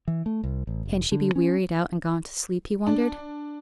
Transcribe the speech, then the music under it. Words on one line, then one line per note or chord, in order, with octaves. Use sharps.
Can she be wearied out, and gone to sleep, he wondered.
E3
A3
C2
A1
F1
D3
C#4
D4